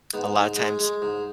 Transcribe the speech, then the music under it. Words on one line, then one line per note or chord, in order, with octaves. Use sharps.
a lotta times,
G#2 B3
G#2
G#3
G#3
G#2